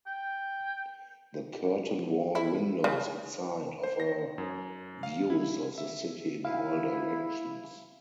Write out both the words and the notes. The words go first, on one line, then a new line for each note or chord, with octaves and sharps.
The curtain-wall windows inside offer views of the city in all directions.
G5
E4
C#3
C5
A#6
F#2
F5
E4
E5
E4 F5